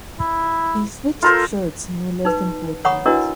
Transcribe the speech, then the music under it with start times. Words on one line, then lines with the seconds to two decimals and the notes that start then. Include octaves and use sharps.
He 'switched' shirts no less than four times.
0.19 E4
1.23 F4 A4 A#4 C5
2.25 D#4 B4
2.85 C#5 F#5 A#5 B5 C#6 D#6
3.06 D4 E4 F#4 A#4 B4 D#5